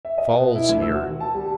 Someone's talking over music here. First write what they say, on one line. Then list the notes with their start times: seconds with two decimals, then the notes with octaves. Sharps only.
Fall's here.
0.05 E5
0.18 D#5
0.33 B2
0.55 E4
0.69 D2
0.82 E6
0.94 F#4
1.07 D#3
1.20 A5
1.35 G3